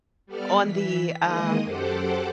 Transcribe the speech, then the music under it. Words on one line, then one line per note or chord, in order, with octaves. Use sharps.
on the, um,
G3 B3 A4 D5 F6
E3 B6
D#3 G#3 A#3 D#5 D#6
F#2 G4 A4 C5 F#5 D6